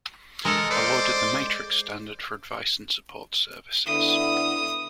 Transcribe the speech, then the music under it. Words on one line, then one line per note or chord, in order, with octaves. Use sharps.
Awarded the Matrix Standard for advice and support services.
G#3 A4 A#4
C5 D5
D3 B3 E4 D#6